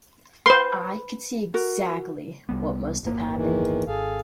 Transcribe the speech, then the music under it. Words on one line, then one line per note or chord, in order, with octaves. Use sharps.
I could see exactly what must have happened.
B4 C5 C6
F#4 A#4
C2 G3 B3
D1 G1 A#3
E2 D#3 E3
G#1 G#4 A4 F5